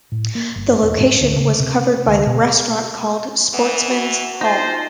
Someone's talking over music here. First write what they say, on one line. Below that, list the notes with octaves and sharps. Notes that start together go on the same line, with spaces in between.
The location was covered by the restaurant called "Sportsman's Hall".
A2
A#3
G1
E1
G#2
D2
C#3
C3
D2
B2
E3 B3
F#4
D#4 F4 C5